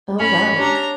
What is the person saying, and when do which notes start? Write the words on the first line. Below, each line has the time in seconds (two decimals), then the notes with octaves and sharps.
Oh, wow.
0.19 G#2 C#4 B5
0.57 D4 G4 C#5 A#5